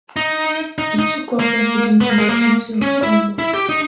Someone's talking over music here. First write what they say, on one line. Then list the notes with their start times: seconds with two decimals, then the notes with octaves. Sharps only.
He took up residence in the city of Kalmar.
0.16 D#4
0.78 D#4
0.99 D#4
1.40 A#3
2.01 B3
2.09 A#3
2.18 G#3
2.28 A#3
2.82 C#4
3.03 E4
3.39 E4
3.54 G4
3.69 D#4